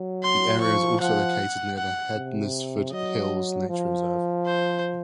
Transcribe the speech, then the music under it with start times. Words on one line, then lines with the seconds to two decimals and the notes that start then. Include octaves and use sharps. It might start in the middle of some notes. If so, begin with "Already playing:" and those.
The area is also located near the Hednesford Hills Nature Reserve.
Already playing: F#3
0.23 C6
0.61 F3 C#6
1.00 F3 F#5
1.77 F#5
2.15 C3
2.92 F#3 D#5
3.69 F3
4.46 C5